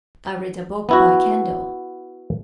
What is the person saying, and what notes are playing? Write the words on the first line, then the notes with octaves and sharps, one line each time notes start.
I read a book by candle.
B3 E4 F#4